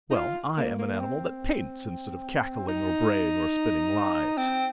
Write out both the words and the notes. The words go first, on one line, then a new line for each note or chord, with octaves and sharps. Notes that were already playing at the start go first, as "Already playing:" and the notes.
Well, I am an animal that paints instead of cackling, or braying, or spinning lies.
D#4
F4
A#3
A#3
A#3
C4
D#4
C4